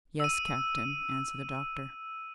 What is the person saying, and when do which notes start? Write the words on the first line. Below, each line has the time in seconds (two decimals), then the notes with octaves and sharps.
"Yes, captain," answered the doctor.
0.20 E6 D#7